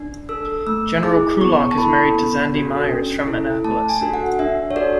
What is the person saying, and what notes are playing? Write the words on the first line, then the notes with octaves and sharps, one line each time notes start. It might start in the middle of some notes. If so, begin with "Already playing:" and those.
General Krulak is married to Zandi Meyers from Annapolis.
Already playing: D4
A4 E6
A3 E6
E4 G#4 D6
B3 C#6
A5
E4 A4 B5
B3
D4 F#4 A4
C#4
E4 A4
A3 A5
G#5
D4 F#4 A4
F#5
D4 E5
C#5
F#4 A4 D5